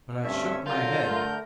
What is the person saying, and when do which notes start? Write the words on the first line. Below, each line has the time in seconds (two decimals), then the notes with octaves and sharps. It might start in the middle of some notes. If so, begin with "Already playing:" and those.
But I shook my head.
0.24 D2 G2 C4 C#4 E5
0.67 D3 F#3 C#4 F4 A#4 G6
1.06 A3 A#4